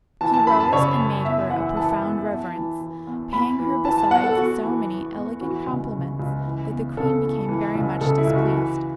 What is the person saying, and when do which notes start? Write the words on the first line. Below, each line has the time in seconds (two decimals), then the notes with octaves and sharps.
He rose, and made her a profound reverence, paying her besides so many elegant compliments, that the queen became very much displeased.
0.21 E3 A5
0.34 A5
0.47 F#2 B5
0.60 A5
0.73 C#3 C#5
0.99 F#2
1.25 E2 E5
1.50 E3 F#5
1.77 E3 A5
2.03 E2
2.29 E2
2.55 E3
2.81 E3
3.07 E2
3.33 E2 B5
3.59 E3
3.84 E3 A5
3.98 A5
4.11 E2 F#5
4.24 A4
4.37 E2 F#4
4.63 E3
4.89 E3
5.15 E2
5.40 E3 F#4
5.67 C#2
5.93 C#3
6.19 C#2
6.45 E3
6.71 E2
6.97 C#3 A4
7.23 E2
7.48 E3
7.75 C#2
8.01 C#3 A4
8.18 E4
8.27 C#2
8.35 F#4
8.52 E3